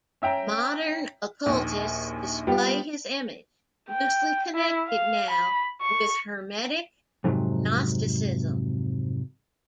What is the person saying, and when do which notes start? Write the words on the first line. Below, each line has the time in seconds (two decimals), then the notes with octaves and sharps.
Modern occultists display his image, loosely connected now with Hermetic gnosticism.
0.22 C#4 E5 G5 A#5
1.46 A#1 D#2
2.47 G3 B3 F4 G4
3.90 G5
4.55 E4
4.88 F5
5.30 B5
5.81 C#6
7.24 F2 G#2 C3 F#3